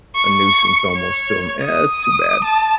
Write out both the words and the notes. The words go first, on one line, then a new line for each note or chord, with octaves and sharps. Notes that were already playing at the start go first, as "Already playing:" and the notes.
a nuisance almost to him. Eh, that’s too bad.
C#6
C#5
D#6
A5